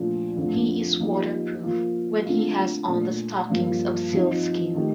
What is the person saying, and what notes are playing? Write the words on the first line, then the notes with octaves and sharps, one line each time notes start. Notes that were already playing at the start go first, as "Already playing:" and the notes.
He is waterproof when he has on the stockings of sealskin.
Already playing: A#2 F3 A3 D4
F2 D3 F3 A3
F3 A#3 D#4 G4
F3 A#3 F4
D3 A3 C4 F4
A#2 A3 D4
G2 F3 A#3
F3 C4 D#4
D#3 A3 D#4 G4